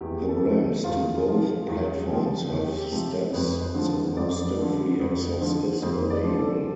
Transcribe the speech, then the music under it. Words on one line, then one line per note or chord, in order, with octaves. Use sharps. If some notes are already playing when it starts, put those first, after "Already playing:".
The ramps to both platforms have steps, so no step-free access is available.
E2 G4
A4
C3 F3
E2 F4
C3 F3
E2
C3 F3
E2 G4
G4
C3 F3
F2 B4
C5
D3 F3
F2 D5
D3 F3
F2
D3 F3
F2 C5
D5
D3 F3
A4